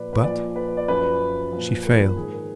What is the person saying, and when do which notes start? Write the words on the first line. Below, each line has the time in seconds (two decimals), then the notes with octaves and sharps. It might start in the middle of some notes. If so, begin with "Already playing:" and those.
But she failed.
Already playing: A#2 F3 B4 D5
0.13 B4
0.24 A#2 F3 D5
0.56 B4
0.77 D5
0.88 F#2 F3 B4
1.52 A#2 F3
1.84 A#4
2.16 G#2 D#3 G#4
2.32 A#4